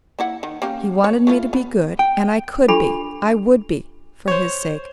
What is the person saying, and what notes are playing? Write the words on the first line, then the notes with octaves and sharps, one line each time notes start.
He wanted me to be good, and I could be, I would be, for his sake.
A#3 E4 F#5
D#3
A#3 C#4 G4
C#5
A3 E4 F4
B3
G5
D4 F4 G4 A4 B5 C#6
C5 C#5